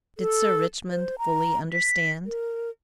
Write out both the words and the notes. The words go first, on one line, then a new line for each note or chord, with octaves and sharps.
Did Sir Richmond fully understand?
A4
C5
A#5
B6
A#4